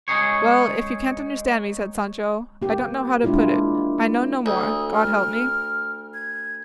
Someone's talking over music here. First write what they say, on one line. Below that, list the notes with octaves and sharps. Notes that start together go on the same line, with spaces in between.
"Well, if you can't understand me," said Sancho, "I don't know how to put it; I know no more, God help me."
G#3 C#4 D#4 G#4 C#5
A#3 G4
G#3 A#3 D4 E4 F4
D2 D#6
F6
G#6